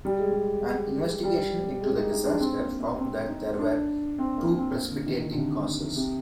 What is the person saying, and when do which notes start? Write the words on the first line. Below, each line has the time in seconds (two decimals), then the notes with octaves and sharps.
An investigation into the disaster found that there were two precipitating causes.
0.05 G3
0.19 G#3
0.32 G3
1.23 G3
1.81 G#3
1.97 D#4
2.11 D#4
2.26 D4
2.40 C4
2.61 A#3
2.80 A#3
3.00 C4
3.29 D#4
3.59 D4
4.18 C4
4.38 A#3
4.58 C4
4.74 C4
4.77 A#3
4.91 D3
5.06 D#3
5.21 D#3
5.32 D3
5.36 C3
5.96 C3